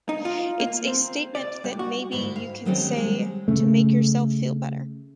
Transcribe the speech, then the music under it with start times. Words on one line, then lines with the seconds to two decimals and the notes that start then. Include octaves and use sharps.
It's a statement that maybe you can say to make yourself feel better.
0.09 D#4
0.25 F4
0.60 A#3
0.87 C4
1.35 D5
1.64 G2
1.79 F#4
2.12 G#2 D3 E4 F#4
2.36 F5
2.65 D#3 F#3 G3 A3 C4 C#4
2.97 G#3
3.48 C#3 A3